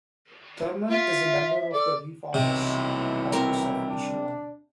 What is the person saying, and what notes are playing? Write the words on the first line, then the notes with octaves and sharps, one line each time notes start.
Thurman is a member of the ReFormers Caucus of Issue One.
F4 E5
A4 D5
B1 C3 E3 G3 E4 D#5
C4 A#4 A#5
D4